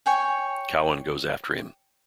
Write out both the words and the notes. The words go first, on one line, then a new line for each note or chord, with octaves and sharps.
Cowan goes after him.
C#5 G5 G#5